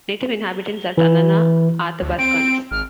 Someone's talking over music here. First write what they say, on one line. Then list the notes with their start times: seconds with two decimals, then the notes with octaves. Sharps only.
Native inhabitants are Tanana Athabaskans.
0.98 E3
2.02 D2
2.19 C4 D7
2.71 G#1 F6